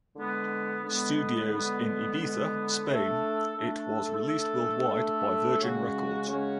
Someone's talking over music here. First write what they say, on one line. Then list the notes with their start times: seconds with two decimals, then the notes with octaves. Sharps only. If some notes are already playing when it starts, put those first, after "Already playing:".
Studios in Ibiza, Spain, it was released worldwide by Virgin Records.
0.14 D3 G#3 B3
0.82 D3 G#3 B3
1.50 D3 G#3 B3
2.18 D3 G#3 B3
2.87 A3 D4 A4
3.55 A3 D4 A4
4.23 A3 D4 A4
4.92 A3 D4 A4
5.60 C#3 G#3 C#4 F#4 C#5
6.27 C#3 G#3 C#4 F#4 C#5